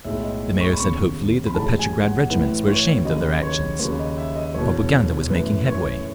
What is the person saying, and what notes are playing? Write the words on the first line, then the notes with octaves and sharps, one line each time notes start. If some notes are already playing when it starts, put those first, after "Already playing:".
The Mayor said hopefully that the Petrograd regiments were ashamed of their actions; propaganda was making headway.
B1 A2 G#3 E5
D#5
C#6
B5
E1 D#2 C#3 C#6
B5
A1 A2 G#3 A5
G#5
F#5
A1 A2 E3 A3 B4
C#5
D#2 C#3 F#3 D#5
C#5
D#2 C#3 F#3 C#5
D#5
E5
D#5
E1 E2 B2 C#5
F#2 E3 A3 B4
C#5